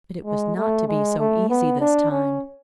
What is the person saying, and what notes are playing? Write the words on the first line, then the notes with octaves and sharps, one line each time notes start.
But it was not to be so easy this time.
G#3
A3
G#3
A3
B3
D4
C#4